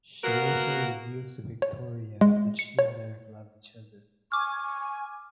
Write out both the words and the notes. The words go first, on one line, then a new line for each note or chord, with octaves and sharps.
She also reveals to Victoria that she and Derek love each other.
A#3 B3 F#4 A#4
C#5
G#3
C#7
C#5
G#5 C#6 D6 F6